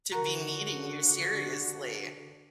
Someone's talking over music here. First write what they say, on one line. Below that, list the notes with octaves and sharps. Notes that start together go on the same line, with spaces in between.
to be meeting you seriously.
D3 F#4 A#4 A#5